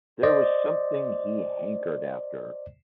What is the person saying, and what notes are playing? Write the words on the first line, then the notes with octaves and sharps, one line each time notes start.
There was something he hankered after.
C5 D5 D#5